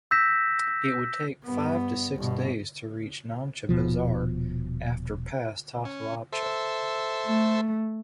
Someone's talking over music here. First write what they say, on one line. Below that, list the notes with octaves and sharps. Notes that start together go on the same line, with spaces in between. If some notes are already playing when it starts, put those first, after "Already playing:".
It would take five to six days to reach Namche Bazaar after pass Tasilapcha.
E6 G6 A#6 B6 E7
G2 B3
G1 B2
D#1 B2 F3
C#4
A4 C5 E5
A3